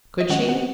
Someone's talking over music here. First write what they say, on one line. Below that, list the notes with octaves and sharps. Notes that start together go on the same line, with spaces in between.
Could she?
D#5
D#3 G#3 C#4 F#5
F#5